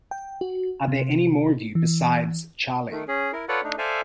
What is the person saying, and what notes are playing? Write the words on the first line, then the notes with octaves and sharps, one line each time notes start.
Are there any more of you besides Charley?
G5
F#4
C3
E3
D#3 A3
C#4 G#4
E4 A#4
F4 A4 B4 C#5 D5 F#5
A3 D4 D#4
A4 C5 D5 E5 F5 G#5